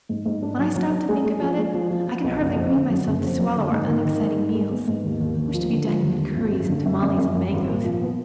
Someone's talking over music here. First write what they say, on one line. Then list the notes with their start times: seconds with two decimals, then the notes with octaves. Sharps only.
When I stop to think about it, I can hardly bring myself to swallow our unexciting meals; I wish to be dining on curries and tamales and mangos.
0.09 G#2
0.26 G#2
0.43 D4
0.59 F#3
0.76 F#3
0.92 D4
1.09 G#3
1.25 G#3
1.41 F3
1.58 G#3
1.74 F3
1.90 F3
2.07 F3
2.24 B1
2.40 F#1
2.56 F2
2.73 D3
2.90 F#3
3.07 F#1
3.23 F2
3.39 F#3
3.56 D3
3.71 G#2
3.88 D#3
4.05 D#3
4.21 G#2
4.38 D#3
4.54 G#3
4.71 B3
4.88 G#2
5.05 D#2
5.20 D#2
5.37 D#2
5.54 F3
5.70 D3
5.86 F3
6.03 D#2
6.19 D#2
6.35 G#1
6.52 F#2
6.69 D3
6.85 F#2
7.02 F#2
7.18 F#2
7.34 F#2
7.52 G#1
7.68 A#2
7.85 F3
8.01 B3